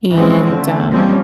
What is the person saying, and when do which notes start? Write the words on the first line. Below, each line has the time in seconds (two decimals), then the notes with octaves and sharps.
and, um
0.11 E3 F3 G#3 C4 C#4
0.51 D3 A3
0.91 D#3 F3 G3 A#3 C4 C#4